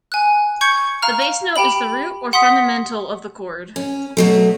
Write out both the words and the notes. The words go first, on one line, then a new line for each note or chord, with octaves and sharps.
The bass note is the root or fundamental of the chord.
G#5 F#6
C#6 G6 G#6 C#7
F5 A#5 F6
G4 G5 B5 F#7
F#5 C6 D#6 B6
C#4
B2 F#3 A3